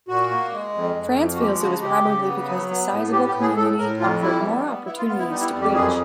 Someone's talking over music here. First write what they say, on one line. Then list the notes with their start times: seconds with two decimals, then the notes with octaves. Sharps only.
France feels it was probably because the sizeable community offered more opportunities to preach.
0.08 A#2 F#4
0.31 A#3
0.53 G#3
0.74 F2
0.96 F2
1.18 F3
1.35 F#4
1.38 G#3 G4
1.61 C#3 F#4
1.82 C#3 G4
2.04 C#3
2.26 B3
2.47 F#3
2.70 B3
2.91 A2
3.12 B3 G4
3.27 G4
3.35 A2
3.41 G#4
3.56 A2 A4
3.78 A2 A#4
3.99 F2 F4
4.21 G3 E4
4.42 B3
4.65 B3
4.86 B3 E4
4.97 F4
5.08 B3 F4
5.19 E4
5.29 G3 D#4
5.41 E4
5.52 F2
5.62 G4
5.73 F#2 G#4